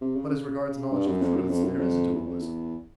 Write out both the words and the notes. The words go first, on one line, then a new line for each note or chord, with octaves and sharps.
But as regards knowledge of truths, there is a dualism.
C3
C#3
C#3
G2
F#2
F2
F#2
F2
F#2
F2
E2
F2
E2